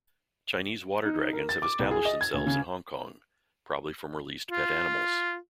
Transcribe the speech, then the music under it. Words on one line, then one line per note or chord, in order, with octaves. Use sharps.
Chinese water dragons have established themselves in Hong Kong, probably from released pet animals.
D#4
A#4
A6
D6
C2
G#4
D#5
G#6
D2
C#3
F4